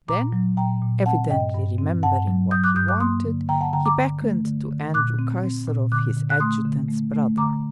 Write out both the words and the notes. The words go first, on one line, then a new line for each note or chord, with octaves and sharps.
Then, evidently remembering what he wanted, he beckoned to Andrew Kaysarov, his adjutant's brother.
A#2 A#5 D6
F#3
A#2 G5 A#5
A#2
C4 F#5 A5
G2 D#5 G5
G2
C4
G2 F#5 A5
F#3
F#3 D#6 G6
D6 F#6
G2 D#6 G6
D6 F#6
A#3 C6 D#6
D3
D3 G5 A#5
F#5 A5
D3 G5 A#5
A#5 D6
D3
A3
D3
D3
A#2 D6 F#6
C4
C4
A#2
D3 D6 F#6
D3
F#6
A3 C6 D#6
D3
A3
A3
D3 A#5 D6